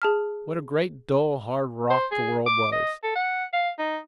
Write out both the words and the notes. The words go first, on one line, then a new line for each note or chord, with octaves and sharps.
What a great dull hard rock the world was!
G#4 A5 F6
C5
G#4
D6
D#5
A4
F#5
F5
D#4